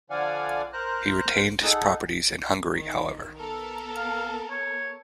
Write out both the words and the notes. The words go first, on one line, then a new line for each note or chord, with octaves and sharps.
He retained his properties in Hungary however.
D3 F3 D5 F5 F#5 G#5
A#4 C5 A#5 F#6
D#4 G#4 A4 F#5
D#3
B3 A4 A#4
F5
C#5